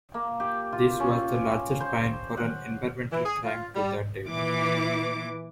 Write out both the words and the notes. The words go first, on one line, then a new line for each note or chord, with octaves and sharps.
This was the largest fine for an environmental crime to that date.
A#3
G4
F4
C#4
C5
F#5
E3
G#4
F4
G3
A#2 E3 D6